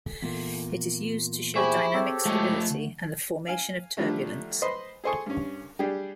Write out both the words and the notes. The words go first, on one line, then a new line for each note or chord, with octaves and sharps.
It is used to show dynamic stability and the formation of turbulence.
E2 A#2 A#3
G4 G#4 C5 E5 G#5 B5 C#6
C4 G4 A4 C#5
F3 G#3 A3
D2
F5 G#5
D3 D#3 F3 G3 A3
B4 C5 D#5 B5 C6
G#4 A4 C5 G#5 C#6 D#6
G2 C#4
G3 D4 G4 G#4